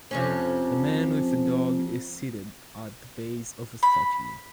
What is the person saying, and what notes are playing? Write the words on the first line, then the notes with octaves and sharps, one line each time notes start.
A man with a dog is seated at the base of a statue.
F2 C3 C#4
B5